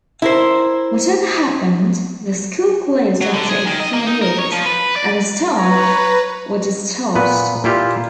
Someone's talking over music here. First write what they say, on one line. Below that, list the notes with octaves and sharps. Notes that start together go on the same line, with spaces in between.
Whatever happened, the school closed after a few years, and the staff were discharged.
E4 A#4 C5
F#3
D3
G#4
D#3
D#5
A#3
D#4
A#4
C#5
F3
B4
D5
B4 C#5 A#5
A#2 B3 B4
A#2 E4 F4 G4